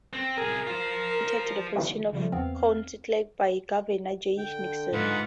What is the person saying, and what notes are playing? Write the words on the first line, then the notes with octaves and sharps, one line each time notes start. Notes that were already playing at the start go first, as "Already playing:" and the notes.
Chris Flanagan was appointed to the position of County Clerk by Governor Jay Nixon.
C4
C2 G#4 A#4
F4 C5
C#3 F3 G3 A3
E2 B3 C4 F5
D3 G5
G#2 F4 B4 F#5